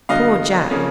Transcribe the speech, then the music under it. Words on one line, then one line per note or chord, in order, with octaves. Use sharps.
Poor Jack!
G2 D3 F#3 B3 D#5 F5
C#3 F3 A#3 C#4